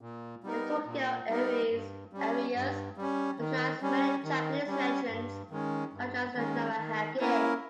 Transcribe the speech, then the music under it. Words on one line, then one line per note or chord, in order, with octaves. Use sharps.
The Tokyo areas utilize many Japanese legends, such as the Namahage.
A#2
G3 B3 D#4 A#4
A#2
G3 B3 D#4 A#4
G2
G3 C#4
G2
G3 C#4
D#3
G3 C#4
D#3
G3 C#4
G2
D#3 G#3 C#4
G2
D#3 G#3 C#4
D#3
A#3 C#4 E4 A#4